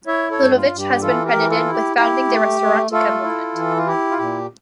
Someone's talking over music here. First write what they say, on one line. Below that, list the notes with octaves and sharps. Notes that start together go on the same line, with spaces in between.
Ludovic has been credited with founding the Restaurantica movement.
E4 C#5 E5
A4 C#5
G2
F4
G2
G4
E3 F4 A4
G4 A#4
E3
F4 A4
E4
G4
E4 G4
A3
A3
A3 F4 A4
E4
E3
F4
E4 G4
F4
A#2 G4